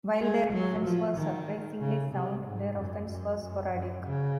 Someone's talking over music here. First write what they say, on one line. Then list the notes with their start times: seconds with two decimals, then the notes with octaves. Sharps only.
While their defense was surprisingly sound, their offense was sporadic.
0.21 G#3
0.53 F#3
0.85 F3
1.17 D#3
1.80 C#3
2.12 C3
2.45 G#2
2.77 F#2
3.08 F#2
3.40 F#2
3.72 F#2
4.04 C#3